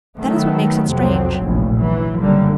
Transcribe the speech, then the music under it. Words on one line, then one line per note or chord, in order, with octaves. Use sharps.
That is what makes it strange.
D#3 F#3 A3 B3
C2 F2 C3 F#3 C4
F1 A#1 A2
E3 F#3
F#1 D3 G3 A#3